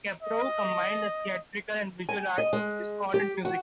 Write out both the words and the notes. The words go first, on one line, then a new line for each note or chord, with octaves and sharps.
Kaprow combined the theatrical and visual arts with discordant music.
D#5
G#5
D#5
G#3
G4
F#4